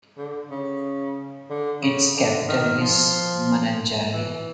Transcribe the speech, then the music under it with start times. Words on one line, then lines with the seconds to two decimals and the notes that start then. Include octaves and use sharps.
Its capital is Mananjary.
0.18 D3
0.51 C#3
1.49 D3
1.82 C#3
2.15 D3
2.48 D#3
2.81 F3
4.13 E3